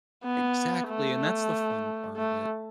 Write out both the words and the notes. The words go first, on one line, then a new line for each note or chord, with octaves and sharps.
Exactly, and that's the fun part of it.
B3
A3
A3